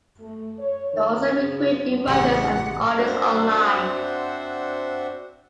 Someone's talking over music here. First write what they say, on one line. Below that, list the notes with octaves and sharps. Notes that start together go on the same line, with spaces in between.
They also recruit new writers and artists online.
A3
C#5
D#3
C#3
A1 C#3 G4 F#5
C4 D4 F#4 C5 E5 F#5